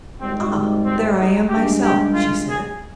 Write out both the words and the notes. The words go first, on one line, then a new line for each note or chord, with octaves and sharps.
"Ah, there I am myself!" she said.
G#1 G#2 G3 C4
C4
D#4
G2 D#3 G#3 G4
G4
F4
G#4